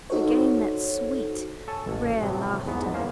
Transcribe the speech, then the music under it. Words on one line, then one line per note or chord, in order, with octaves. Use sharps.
Again that sweet, rare laughter!
D#4 F#4 A4 C5 C#5
A4 C#5 G#5 A5
A1
A2 C3 F#3
E2 G#2 B3
A#3 C#4 C5 F5